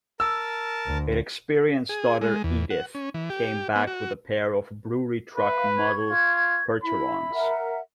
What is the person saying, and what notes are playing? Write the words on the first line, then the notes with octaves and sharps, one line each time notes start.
Inexperienced Daughter Edith came back with a pair of brewery-truck-model Percherons.
A#4 A5 E6
D2
G#4
G#3
E2
F#5
C#4
E3
G4
B3
F#4
B4 E5 F5
C#6 G#6
F4
E4 B5
A#4 E5 F#5